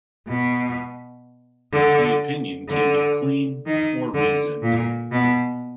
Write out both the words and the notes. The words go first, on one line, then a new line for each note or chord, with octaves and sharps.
The opinion can be "clean" or "reasoned".
B2
D3
D3
D#3
D3
A#2
B2